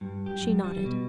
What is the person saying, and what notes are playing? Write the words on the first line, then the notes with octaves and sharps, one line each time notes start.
She nodded.
G2
G4
F#2
G3
B2